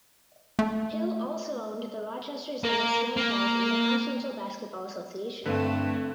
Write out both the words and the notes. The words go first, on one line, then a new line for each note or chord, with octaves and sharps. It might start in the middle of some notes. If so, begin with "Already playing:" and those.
Hill also owned the Rochester Zeniths franchise in the Continental Basketball Association.
A3
A#3 A#4
A#3
G2 D3 A3 C4 B4